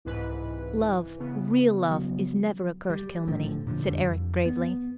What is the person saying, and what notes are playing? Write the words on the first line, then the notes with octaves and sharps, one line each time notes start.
"Love--real love--is never a curse, Kilmeny," said Eric gravely.
C2 G#2 E3 B4
C#3 B3
F#3
G3
A#1 A2 D3 F3
A#2 D3 F3
F2 D3 G3
F2
B3